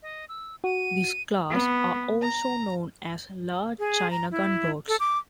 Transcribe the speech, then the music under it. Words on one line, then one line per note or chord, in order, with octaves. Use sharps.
This class are also known as "Large China Gunboats".
D#5
E6
F#4 D#7
B3
A#5
G#4
A#5
E4
A4
D6